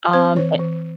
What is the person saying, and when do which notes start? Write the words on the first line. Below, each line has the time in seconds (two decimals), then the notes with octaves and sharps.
um, and
0.13 C4 C5
0.36 E3 C#5
0.60 E3